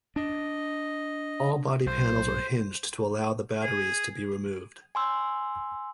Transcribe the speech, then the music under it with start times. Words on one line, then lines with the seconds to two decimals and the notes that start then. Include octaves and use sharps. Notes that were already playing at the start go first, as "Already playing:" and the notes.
All body panels are hinged to allow the batteries to be removed.
0.16 D4 D#5
1.86 B1 C5
3.63 G#4
4.95 G#5 C6 E6